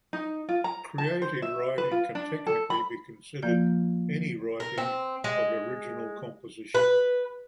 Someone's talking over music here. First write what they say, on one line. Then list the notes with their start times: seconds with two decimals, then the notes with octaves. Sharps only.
Creative writing can technically be considered any writing of original composition.
0.13 D#4
0.49 F4
0.64 A#5
0.98 A5
1.22 C5
1.42 E5
1.78 B4
1.91 F4
2.15 D4
2.47 A4
2.70 B5
3.42 F3 A#3 F4 D5 G6
4.60 A#4
4.78 C4
5.24 G#3
6.74 B4